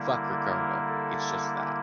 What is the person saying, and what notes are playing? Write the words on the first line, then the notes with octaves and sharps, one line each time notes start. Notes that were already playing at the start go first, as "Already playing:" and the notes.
Fuck, Ricardo! It’s just that...
Already playing: D3 G3 A#3 E4
A#4
A4